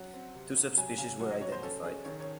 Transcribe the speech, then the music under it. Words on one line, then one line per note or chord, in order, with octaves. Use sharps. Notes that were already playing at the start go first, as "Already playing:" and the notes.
Two subspecies were identified.
Already playing: F#3 C#4 F#5
C4
C3
C3
F#3 G#5
C#3 G#5
F#3 F#5
D#5
F#3 C#5
C5
C#4 A4
C#4 G#4
D#3 C#5
C#5